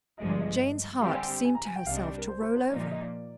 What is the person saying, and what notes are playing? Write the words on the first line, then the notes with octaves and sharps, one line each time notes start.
Jane's heart seemed to herself to roll over.
G1 G2 F3 G#3 D#5
D5
D#5
D3 G3 C4 G4 F5
G#5
G5
G#5
A#5
G#5
G5
C2 C3 G3 D4 F5
D#5
D5
A#4
C5
C5
C5
A#2 F3 A#3 D#4 D5
D5
D#5
D5